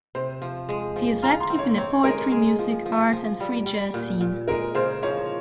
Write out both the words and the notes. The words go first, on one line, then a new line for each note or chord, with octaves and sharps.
He is active in the poetry, music, art, and free jazz scene.
C3 C5
F3
G#3
F3
F4 A#5
C6
C4
C#5
C4 C#5
G#3 A#4
G#3 G#4
F3
F3
F3
G3
G3
A#2
A#2
G#3 A#4
C#3 C5
F3 C#5